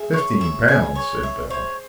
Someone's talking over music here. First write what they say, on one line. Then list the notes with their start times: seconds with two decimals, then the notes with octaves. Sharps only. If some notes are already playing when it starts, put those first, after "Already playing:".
"Fifteen pounds!" said Bell.
Already playing: G#4 E5
0.13 C#5
0.41 E5
0.68 G#5
0.95 C#5
1.23 E5
1.50 C5 C#5